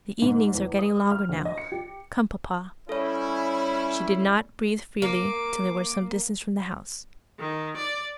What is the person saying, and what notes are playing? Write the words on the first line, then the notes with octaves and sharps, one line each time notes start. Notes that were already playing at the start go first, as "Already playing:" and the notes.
'The evenings are getting longer now. Come, papa.' She did not breathe freely till they were some distance from the house.
G#2
E2
D#6
F6
D2
D#5
C#7
G4
G3 C#4 E4 A4 C#5
A#3 D6
D#3
D5